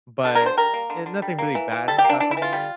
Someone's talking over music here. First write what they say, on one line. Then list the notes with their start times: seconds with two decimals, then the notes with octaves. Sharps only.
but, eh, nothing really bad has happened to me.
0.24 D3 A4
0.35 A#4
0.41 D3
0.46 C5
0.57 G3 A#4
0.74 A#3
0.90 D3
1.06 D3
1.22 G3
1.38 A#3
1.55 E3
1.71 E3
1.88 G3 A4
1.98 G4
2.04 A#3
2.09 D4
2.20 E3 D4
2.31 E4
2.37 E3
2.42 F4
2.53 G3